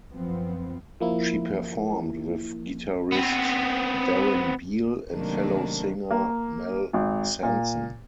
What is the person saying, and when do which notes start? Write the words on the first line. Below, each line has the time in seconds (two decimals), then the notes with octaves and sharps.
She performed with guitarist Darren Beale and fellow singer Mel Sanson.
0.13 F#2 F3 B3 C4
1.00 F3 A#3 E4
3.12 B3 C4
5.12 C3 D#3 F#3 A3 A#3 D4
6.10 A#3
6.93 G#1
7.43 A#2